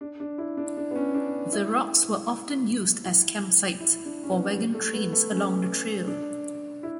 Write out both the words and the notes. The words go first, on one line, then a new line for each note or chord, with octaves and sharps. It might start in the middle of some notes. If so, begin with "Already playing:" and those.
The rocks were often used as campsite for wagon trains along the trail.
D4
D4
E4
D4
D4
B3
C#4
D4
E4
E4
E4
D4
C#4
B3
G3
A3
B3
A3
C#4
D4
E4